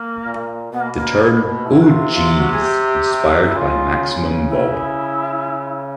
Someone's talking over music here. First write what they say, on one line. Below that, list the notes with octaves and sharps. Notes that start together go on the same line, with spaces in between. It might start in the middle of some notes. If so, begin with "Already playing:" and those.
The term "Oh Jeez..." inspired by Maximum Bob.
Already playing: A#3
A#2
B2 B3
A#3
A#3
C3 E4
F#4
F4
F4
F#4
G#4
G4
E4
C#3 F4
E4